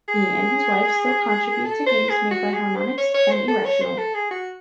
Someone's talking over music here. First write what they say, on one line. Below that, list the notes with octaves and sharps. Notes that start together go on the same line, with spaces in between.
He and his wife still contribute to games made by Harmonix and Irrational.
G#4
A4
C5
G#4
F#4
G#4
C5
C#5
C#5
C5
A4
C#5
C5
A4
G#4
F#4